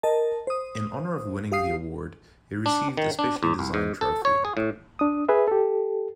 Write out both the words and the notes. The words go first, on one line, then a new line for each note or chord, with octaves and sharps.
In honor of winning the award, he received a specially-designed trophy.
A#4 D#5 A5
C5 D#6
G4 F5 D#6 C7
D4
D#3
D4
E2
C2
G#2
A4
C#5
G#4
A2
D4 D#6
G#4 B4 E5
G4 A4